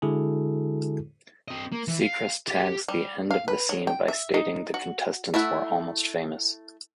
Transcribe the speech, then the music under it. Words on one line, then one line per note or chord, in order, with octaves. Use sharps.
Seacrest tags the end of the scene by stating the contestants were almost famous.
D3 G#3 E4 F#4 G#4 A4
C4 D#5
A#3
E3
F5
G4
G3
F5
B4
F#3
G5
E5
D#4
F#4
A3 E4 E5 F#5